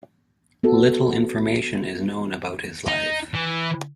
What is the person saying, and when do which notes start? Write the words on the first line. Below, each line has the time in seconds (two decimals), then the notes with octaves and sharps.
Little information is known about his life.
0.63 B3 F#4 A4
2.87 D#4
3.35 E3